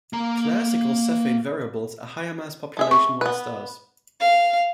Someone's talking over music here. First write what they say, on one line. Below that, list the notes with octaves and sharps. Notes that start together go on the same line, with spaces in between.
Classical Cepheid variables are higher mass population I stars.
A#3 A#5
A3 G#4 E5
C#6
B3 B4
F5